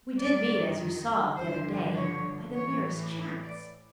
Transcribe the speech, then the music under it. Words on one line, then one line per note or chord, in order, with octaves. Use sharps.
We did meet, as you saw, the other day, by the merest chance.
G2 D#3 D5
G2 D3 F3 C5
C#5
A2 E3 C#5
D5